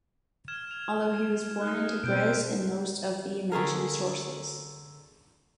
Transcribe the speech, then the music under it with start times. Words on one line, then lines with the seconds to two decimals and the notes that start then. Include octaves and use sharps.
Although he was born in Tabriz in most of the mentioned sources.
0.48 F6 G#6 E7
0.71 F7
1.61 D#4 F6 F#6
2.04 B2 C4 G6 D7
3.52 D3 A3 G#4 A#4